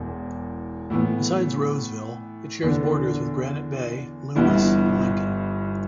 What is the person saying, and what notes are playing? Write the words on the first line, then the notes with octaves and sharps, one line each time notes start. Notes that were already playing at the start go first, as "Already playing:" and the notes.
Besides Roseville, it shares borders with Granite Bay, Loomis and Lincoln.
Already playing: E1 E2
A2 E3 B3
E2 D3 B3 D4
G1 G2 E3 B3 D4